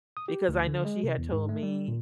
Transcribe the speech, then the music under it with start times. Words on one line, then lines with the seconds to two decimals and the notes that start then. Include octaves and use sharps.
because I know she had told me,
0.17 D#6
0.28 G4
0.48 D2
0.67 D3
0.85 G#3
1.03 C3
1.18 E2
1.32 G#2
1.49 A3
1.63 G3
1.88 A#2